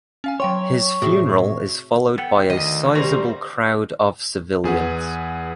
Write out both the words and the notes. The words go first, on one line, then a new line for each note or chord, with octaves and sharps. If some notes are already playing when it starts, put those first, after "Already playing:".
His funeral is followed by a sizeable crowd of civilians.
C#4 F5 G#5
F#3 C#5 G5 C6
A2 C3 F#4 G#4 E5
B3 A4 F#5 G5
D2 D#3 D#5
G3 C4 C#4 A#4 C5
E2 G#4 B4 F#5